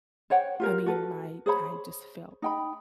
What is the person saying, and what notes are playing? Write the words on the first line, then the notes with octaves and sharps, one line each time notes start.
I mean, my I just felt
C5 C#5 F#5 G5
F4 G4 A#4
F#4 A4 B4
G#4 C5 C#5 B5
D#4 G5 B5